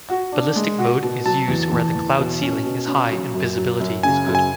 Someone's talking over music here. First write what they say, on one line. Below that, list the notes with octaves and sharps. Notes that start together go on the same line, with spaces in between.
Ballistic mode is used where the cloud ceiling is high and visibility is good.
F#4
D4
G#3
F#4
B2
F#3 A5
E2
E2
E2
B2
C#4
B2
C#4
F#3
F#2
F#3
F#2
C#3 G#5
F#2
G#5